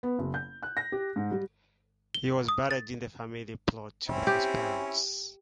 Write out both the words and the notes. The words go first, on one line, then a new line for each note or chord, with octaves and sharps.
He was buried in the family plot with his parents.
B3
F#1
G6
F#6
A#6
G4
G#2
G3
G7
D#6
A6
C4 C#4 E4
G4